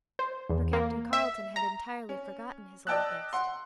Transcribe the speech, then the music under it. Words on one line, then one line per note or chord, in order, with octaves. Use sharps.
For Captain Carleton had entirely forgotten his little guest.
C5
E2
A#3
E5
A#5
C#4
D5 D#5 G5 A5 E6 F#6
F#5 C6